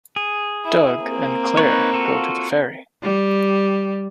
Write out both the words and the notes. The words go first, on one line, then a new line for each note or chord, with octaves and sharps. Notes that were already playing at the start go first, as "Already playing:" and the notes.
Doug and Claire go to the ferry.
G#4
E4
A#3 C4
D#4 B4 C#5
F4 F#4 A4
G3